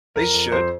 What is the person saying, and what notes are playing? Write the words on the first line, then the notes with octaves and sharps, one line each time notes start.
They should.
F2 A#4
F2
F2 C5